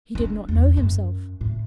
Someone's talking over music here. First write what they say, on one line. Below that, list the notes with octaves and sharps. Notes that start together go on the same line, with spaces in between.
He did not know himself.
D4 D#4
E2
F#2
A2